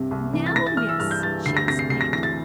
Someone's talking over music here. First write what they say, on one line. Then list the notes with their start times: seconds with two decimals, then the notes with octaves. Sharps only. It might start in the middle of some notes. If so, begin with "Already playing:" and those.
"Now, Miss!" she exclaimed.
Already playing: C2 G2 C3
0.11 C2
0.33 E3
0.46 A6
0.56 E3 A#6
0.67 A6
0.77 E3 F6
0.89 E6
1.00 G2 F6
1.11 G6
1.23 G2 A6
1.46 D2 C7
1.57 A#6
1.68 C3 A#6
1.79 C7
1.90 D2 C7
2.01 A#6
2.13 E3 A#6
2.23 A6